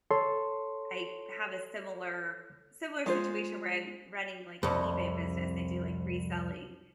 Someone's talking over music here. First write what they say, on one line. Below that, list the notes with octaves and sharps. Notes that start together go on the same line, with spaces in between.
I have a similar similar situation where I'm running like an eBay business, I do like reselling
A4 C#5 C6
G#3 F4 C5
C2 F2